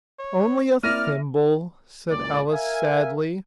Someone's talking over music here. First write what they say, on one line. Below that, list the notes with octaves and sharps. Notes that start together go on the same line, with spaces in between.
'Only a thimble,' said Alice sadly.
C#5
A#3 C4 E4 D5 E5 F6 A#6 D#7
F#1 C#2 A#2 D5
A#4 E5 F5 G#5